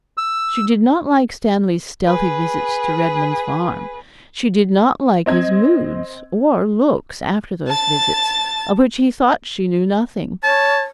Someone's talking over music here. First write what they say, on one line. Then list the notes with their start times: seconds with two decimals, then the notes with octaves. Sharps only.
She did not like Stanley's stealthy visits to Redman's Farm; she did not like his moods or looks after those visits, of which he thought she knew nothing.
0.17 E6
2.06 G#4 B4
5.26 C4 D#5 G#6
7.67 A5 A6
10.44 C#5 A5